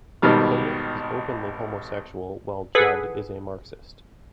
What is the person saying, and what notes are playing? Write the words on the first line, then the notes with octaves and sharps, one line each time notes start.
Bennett is openly homosexual, while Judd is a Marxist.
G#1 B2 D#3 G3 F6
G#4 A4 B4 F#5